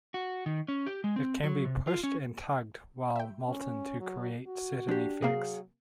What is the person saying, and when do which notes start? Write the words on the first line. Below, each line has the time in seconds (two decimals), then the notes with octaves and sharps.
It can be pushed and tugged while molten to create certain effects.
0.14 F#4
0.46 D#3
0.68 C#4
0.86 G4
1.04 G#3
1.16 C4
1.44 F#3
1.65 C3
1.87 F4
2.03 C#4
3.16 E5 G5
3.48 C#4
4.00 F#3
4.47 F#4
4.89 F3 D4 G4
5.22 C3 F#3 A#3 G#4 F5